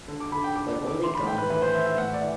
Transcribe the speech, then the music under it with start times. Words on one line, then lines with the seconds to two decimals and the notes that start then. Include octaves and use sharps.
But only God knows.
0.08 D3
0.20 D6
0.32 D3 B5
0.44 G5
0.56 D3 D6
0.79 D3
0.87 D6
1.03 E3 C6
1.15 B5
1.27 A2 G5
1.38 B4
1.50 E3 B4
1.62 C5
1.74 E3 E5
1.86 E5
1.98 A2 F#5
2.14 D5
2.21 E3